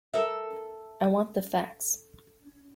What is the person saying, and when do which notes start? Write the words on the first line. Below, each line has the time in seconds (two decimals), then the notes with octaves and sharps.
I want the facts.
0.14 A4 A#4 E5